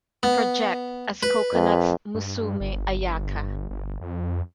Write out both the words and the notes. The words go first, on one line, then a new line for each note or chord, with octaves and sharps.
Project as Coconuts Musume Ayaka.
B3
B4
F2
G2
G1
G1
F2